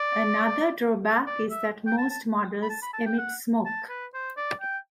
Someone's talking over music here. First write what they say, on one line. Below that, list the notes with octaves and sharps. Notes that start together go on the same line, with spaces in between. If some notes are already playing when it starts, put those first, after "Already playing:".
Another drawback is that most models emit smoke.
Already playing: D5
D5
E5
G5
A5
A5
B5
A5
B5
A5
G5
F#5
A5
B4
C5
D5
G5